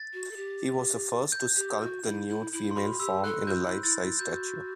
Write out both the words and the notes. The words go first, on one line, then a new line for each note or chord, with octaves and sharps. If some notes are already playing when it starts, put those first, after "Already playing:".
He was the first to sculpt the nude female form in a life-size statue.
Already playing: A6
F#4
A4
G4
G6
G4
F#4
E4
E4
E4
C6
F#4 B5
G4 E6
A4 F#6
F#4 G6
E4
E4 A6
E4
F#4 G6